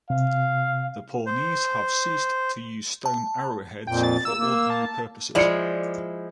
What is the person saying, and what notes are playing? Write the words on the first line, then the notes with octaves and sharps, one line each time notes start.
The Pawnees have ceased to use stone arrowheads for ordinary purposes.
C3 F5
C5
A5
F2 A#2 G5
A6
A#3 E6
A#3
A5
F3 G#3 E4 D5 C#7